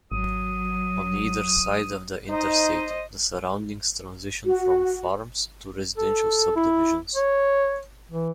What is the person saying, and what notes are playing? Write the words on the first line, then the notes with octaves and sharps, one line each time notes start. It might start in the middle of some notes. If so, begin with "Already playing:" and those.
On either side of the Interstate, the surroundings transition from farms to residential subdivisions.
G#1 F#3 D#6
D#4 C5 D#5
F#4
A4
E4
C#5
E3